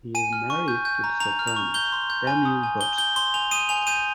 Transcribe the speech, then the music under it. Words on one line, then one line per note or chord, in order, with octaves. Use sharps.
He is married to the soprano Danielle Borst.
G#5 D#7
F6
C#6
G6
G6
A#5
A#5 F7
F6
F7
C#6
G6 G7
C6
G6
G#5
D#6
G#5
G6 G7
G6 G7
C6 G7
G#5 F7
D#6 D#7
G#5 F7
G6 D#7